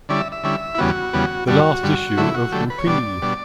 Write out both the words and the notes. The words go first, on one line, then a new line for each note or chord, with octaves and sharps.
The last issue of Whoopee!
D3 G3 C#4 E4 D5
E5
E5
D3 G3 C#4 E4
E4
E2 C#3 G3 B3 F#4
E2 C#3 G3 B3
G2 D3 G3 F#4
G2 D3 G3
D3 F#3 A3 E4
F#4
D3 F#3 A3 G4
B4
C#5
B2 G3 D4 D5
B2 G3 D4